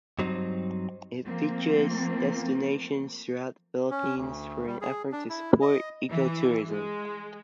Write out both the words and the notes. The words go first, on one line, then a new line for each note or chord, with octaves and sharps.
It features destinations throughout the Philippines for an effort to support ecotourism.
G2 F#3 C4 D#4
F3 A3 A#3 C4
C#4
D2
G3
G#4
D4
E4
D#5
E3
G#3